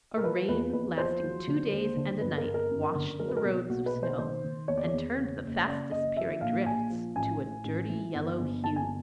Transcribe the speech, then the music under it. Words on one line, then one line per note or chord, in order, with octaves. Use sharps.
A rain lasting two days and a night washed the roads of snow and turned the fast disappearing drifts to a dirty yellow hue.
A#4
F3 B4
E2 B4
E2 B4
F3 C5
F#3
D3
D#2
D3
G1 B4
A#4
G1
A#4
F#2
D3
F#3 A#4
B4
A#4
B1
B1 F#4
B4
B2
C5
D#3 C5
D#3
E2 C#5
D5
C#5
E2
C#3
F#1
C#3 D5
F#1 D#5
F3 E5
A#1 F5
A#1 G#5
F3
A1 G#5
A2
A1
E3
G1
G1
G1 A5
G#5